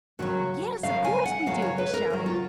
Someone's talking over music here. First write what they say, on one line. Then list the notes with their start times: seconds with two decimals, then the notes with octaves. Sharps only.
"Yes, of course we do," they shouted.
0.19 D#2 C#3 F#3 F#4
0.83 D#2 C#3 F#3 F5
1.04 G#5
1.26 F#5
1.46 D#2 C#3 F#3 F5
1.62 C#5
1.78 B4
1.93 A#4
2.10 D#2 C#3 F#3
2.26 F4